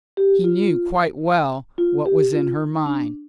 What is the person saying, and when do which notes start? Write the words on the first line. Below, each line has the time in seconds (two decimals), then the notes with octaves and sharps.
He knew quite well what was in her mind.
0.17 G4
0.44 F4
1.78 F4
2.06 G4
2.33 F4
2.86 D4